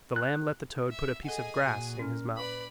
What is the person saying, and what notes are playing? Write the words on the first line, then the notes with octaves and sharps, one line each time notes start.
The lamb let the toad put a piece of grass in his mouth.
F#6
E5
G#4 A4 D#5 F#5 G#5
A#2 F#4
C#4 A#4
B4 D5 B5